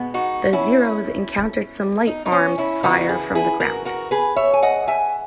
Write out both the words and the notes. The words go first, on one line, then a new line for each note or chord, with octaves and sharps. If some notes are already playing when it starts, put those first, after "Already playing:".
The Zeroes encountered some light arms fire from the ground.
Already playing: B2 G#3 B3
D#4 F#4
C#4 E4
D#4
D#4
C#4
C#4 E4
C#3 E3 B3 D#4 F#4
E4 G#4
E4 G#4
F#4 A#4
F#4 A#4
G#4 B4
C#5 E5
G#5
D#5 F#5
E5 G#5